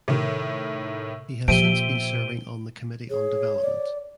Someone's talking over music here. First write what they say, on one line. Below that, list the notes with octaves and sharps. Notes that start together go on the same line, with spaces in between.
He has since been serving on the Committee on Development.
A2 C3 D#3
A#2 F3 G4 C5 E5 D7 D#7 G7
G#4 C#5
D5